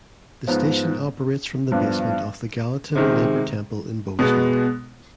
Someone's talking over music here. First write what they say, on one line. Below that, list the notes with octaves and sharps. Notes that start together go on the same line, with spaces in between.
The station operates from the basement of the Gallatin Labor Temple in Bozeman.
G#2 F3 B3
G2 F3 B3 D4
C3 D#3 G#3
B2 G#3 B3